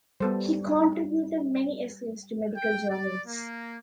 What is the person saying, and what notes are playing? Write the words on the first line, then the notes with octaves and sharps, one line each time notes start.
He contributed many essays to medical journals.
G3 B3 A4 C5
G5
D5
A#3